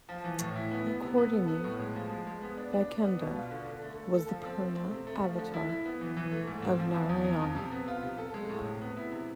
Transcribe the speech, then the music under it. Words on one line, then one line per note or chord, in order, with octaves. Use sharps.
Accordingly, Vaikundar was the Purna avatar of Narayana.
F3
E3
A2
E4
B3
B3
C3
B3
A4
B3
A2
G#3
F3
G#3
G#3
B3
D4
D4
D4
B3
B2
F4
D3
D3
A3
A4
A4
F3
C4
A3
C4
C3
A3
F3
D3
E4
E4
B3
E3
E3
A3
G#2
C4
F3
E2
E2
F2
F2
C3
B3
F4
C3
A4
G#3
A2
C3
B3
E4
C3